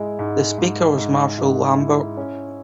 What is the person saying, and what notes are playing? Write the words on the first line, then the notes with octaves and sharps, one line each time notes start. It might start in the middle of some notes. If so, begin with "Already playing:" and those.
The Speaker was Marcel Lambert.
Already playing: G#2 G#3 E4
G#2
G#2
G#2
G#2
E4
C#4